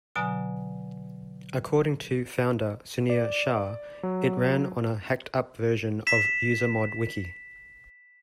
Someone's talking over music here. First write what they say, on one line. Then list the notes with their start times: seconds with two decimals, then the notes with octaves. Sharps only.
According to founder Sunir Shah, it ran on "a hacked-up version of UseModWiki".
0.15 B2 D3 F#3 G#5 A#5
3.10 D5
4.03 F#3
6.07 B6 E7